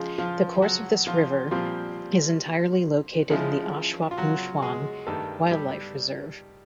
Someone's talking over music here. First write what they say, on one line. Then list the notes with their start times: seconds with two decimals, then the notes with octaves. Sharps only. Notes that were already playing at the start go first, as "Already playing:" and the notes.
The course of this river is entirely located in the Ashuapmushuan Wildlife Reserve.
Already playing: C#3 F3 G#3 F4
0.18 F3 F4
0.62 F#3 F#4
1.07 F3 F4
1.51 A#2 F3 G3 C4 F4
3.30 C#3 F3 G#3 E4
4.11 F4
4.18 F#3 F#4
4.62 G#3 G#4
5.07 G2 D#3 G3 A3 A4
5.51 G3 G4